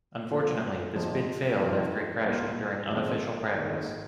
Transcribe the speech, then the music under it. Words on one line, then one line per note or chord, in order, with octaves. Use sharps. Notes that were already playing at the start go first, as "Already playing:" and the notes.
Unfortunately, this bid failed after he crashed during unofficial practice.
A#2 F3 A#3 F4
F1 F2 F3 G#3
F2 D#3 C4 F4
C2 A#2 A#3 F4
G#1 G#2 F3 G#3 C4
G#1 G#2 D#3 A#3